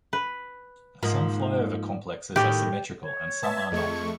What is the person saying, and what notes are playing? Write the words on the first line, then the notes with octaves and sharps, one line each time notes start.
Some flyover complexes are symmetrical and some are not.
B4
G#2 F3 A#3
A2 D#3 G4
C#5
B4 E5 A5 G#6
F2 A3 G#4 D#5 C#6